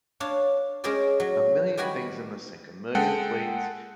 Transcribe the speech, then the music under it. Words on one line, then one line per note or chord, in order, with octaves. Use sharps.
a million things in the sink a million plates,
D4 C#5 F5 A5
G#3 C#4 G#4 A#4 C5 D5
F#3
D#3 G3 F#4 G#5 B5
G#3 A4 F#5 G5